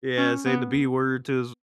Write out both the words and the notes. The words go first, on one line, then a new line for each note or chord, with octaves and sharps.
Yeah, saying the b word to
C#4
B3